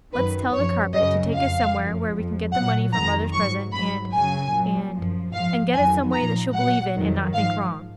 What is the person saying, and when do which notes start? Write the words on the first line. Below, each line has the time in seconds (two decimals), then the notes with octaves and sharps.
Let's tell the carpet to take us somewhere where we can get the money for mother's present, and--and--and get it some way that she'll believe in and not think wrong.'
0.13 F#2 D#3 F#3 B4
0.53 F#2 F3 C#5
0.93 F#2 C#3 F#3 D#5
1.33 F2 F3 F5
1.73 F#2 F3
2.13 F2 F3
2.53 A#2 F#3 F#5
2.94 F2 D#3 F#3 A#5
3.33 G#2 F#3 C#6
3.73 G#2 F#3 B5
4.13 F#2 C#3 F#3 G#5
4.53 A#2 F#3
4.93 F#2 F3
5.33 G#2 F3 F5
5.74 F2 D#3 F#3 G#5
6.13 A#2 F3 A#5
6.53 A#2 F#3 F#5
6.94 F2 D#3 F#3
7.34 G#2 F3 F5